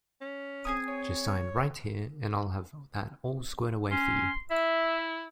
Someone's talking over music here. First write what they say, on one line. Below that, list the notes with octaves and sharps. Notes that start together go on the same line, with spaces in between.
Just sign right here and I’ll have that all squared away for you.
C#4
C4 G#4 G#5 D#6
C#5
C#4 C6
E4 E5